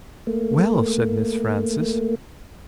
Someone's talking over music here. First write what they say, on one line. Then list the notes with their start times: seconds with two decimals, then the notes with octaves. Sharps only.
"Well!" said Miss Frances.
0.27 A3 A#3